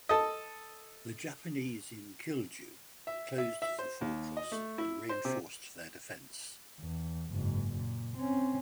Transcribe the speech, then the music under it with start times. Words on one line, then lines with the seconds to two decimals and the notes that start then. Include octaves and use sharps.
The Japanese in Kilju closed the fortress and reinforced their defence.
0.09 A4 D#5
3.07 E5
3.38 E5
3.62 E5
3.79 C5
4.01 D#2
4.37 D#5
4.52 A3
4.78 E4
5.09 C5
5.25 C3
6.80 E2
7.31 F#1 G#2
7.76 A#2
8.17 C4 C#4